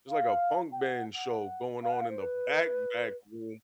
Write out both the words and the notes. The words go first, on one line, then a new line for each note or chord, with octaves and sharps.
there's, like, a punk band show going on in the back, back room,
F5
G5
F#5
F#5
F5
F#5
F5
C5
B4